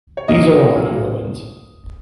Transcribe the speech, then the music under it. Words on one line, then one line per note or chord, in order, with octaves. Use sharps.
These are our heroines.
C#5
A#2 F#3 A#3 D#5
A#2 F#3 A#3